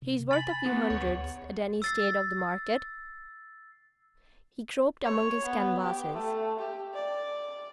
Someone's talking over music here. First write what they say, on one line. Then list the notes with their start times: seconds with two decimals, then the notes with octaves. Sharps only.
She's worth a few hundreds at any state of the market.' He groped among his canvases.
0.02 C3
0.31 G#5 B5 A6 F#7
0.66 B3 G#4 F#5
0.90 D2 C#5 C#6
1.82 E6 A6 C7
5.05 C#5
5.44 B3
5.82 G4
6.13 A3
6.59 G4
6.94 D5